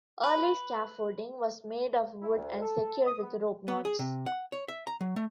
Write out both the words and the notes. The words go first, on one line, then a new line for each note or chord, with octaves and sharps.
Early scaffolding was made of wood and secured with rope knots.
B4
E4
D2
A4
D#6
B3
B3
G#4
C3
F#5
C#5
E5
A#5
F#3
A3